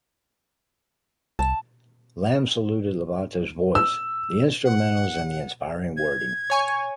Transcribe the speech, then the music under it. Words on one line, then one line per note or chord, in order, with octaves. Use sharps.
Lamb saluted Levato’s voice, the instrumentals and the inspiring wording.
C2 A5
E6
F#5
G#6
C#5 G#5 C#6